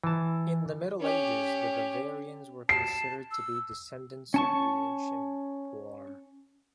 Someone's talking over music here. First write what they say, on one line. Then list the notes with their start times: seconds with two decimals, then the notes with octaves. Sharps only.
In the Middle Ages, the Bavarians were considered to be descendants of the ancient Boier.
0.04 E3 A5
1.01 C#4 G4
2.69 A5 C7
3.31 E6
4.34 C#4 A5 C#6